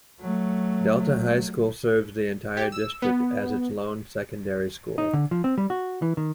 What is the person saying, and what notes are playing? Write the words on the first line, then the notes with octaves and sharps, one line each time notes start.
Delta High School serves the entire district as its lone secondary school.
F#3 A3
G4
E6
B3
D#4
D3
F3
C4
G3
F#4
E3
D#3